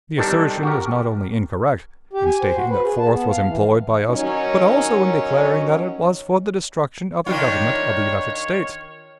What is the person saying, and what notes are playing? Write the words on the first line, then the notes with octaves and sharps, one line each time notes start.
The assertion is not only incorrect, in stating that force was employed by us, but also in declaring that it was for the destruction of the Government of the United States.
C3 D#3 G3 D4 A4 A#4
F#4 G4 A#4
G4
G#5
C5
F#4
B4
G#4
A5
B3
F5
E3
D#3 F#3 C#4 D#4 C#5
D#3 D4 F4 C#5